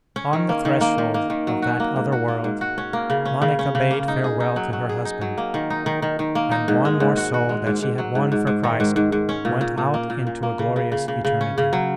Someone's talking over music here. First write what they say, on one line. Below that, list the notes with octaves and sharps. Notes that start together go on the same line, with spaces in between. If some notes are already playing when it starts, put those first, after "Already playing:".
On the threshold of that other world Monica bade farewell to her husband, and one more soul that she had won for Christ went out into a glorious eternity.
C#4
D#3
A#3
D#3
A#3
D#3
A#3
D#3
F#3
F#4
A#3
G#2
F#4
A#3
G#2
F#4
C#4
A#3
C#3
C#4
C#3
C#4
C#3
A#3
D#4
G#4
D#4
F#3
F#3
G#4
D#4
F#3
A#3
D#3
D#4
D#3
D#3
D#3
A#3
D#4
G#2
G#3
G#2
F#4
F#4
G#3
G#2
G#2
F#3
G#2
G#2
G#2
D#3
G#2
G#2
G#2
C#4
A#2
A#2
A#2
A#3
A#2
A#2
A#3
C#3
C#3
C#3
C#3
C#3
C#4
C#3
F#3